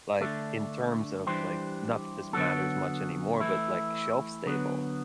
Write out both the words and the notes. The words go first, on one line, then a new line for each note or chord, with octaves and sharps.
like, in terms of, like not that this matters much anymore but, like, shelf stable,
D3 A3 D4
E3 G3 D4 G4 C5
D3 F#3 B3 F#4 A4
E3 A3 E4
D3 F#3 B3